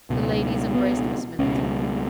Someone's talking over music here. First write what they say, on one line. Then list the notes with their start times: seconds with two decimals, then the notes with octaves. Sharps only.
The ladies embraced Miss Middleton.
0.10 C#2 B2
0.74 B3
1.39 C#2 B2 C#4